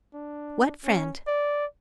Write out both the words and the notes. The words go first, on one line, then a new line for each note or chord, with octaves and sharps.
"What friend?"
D4
C#4
D5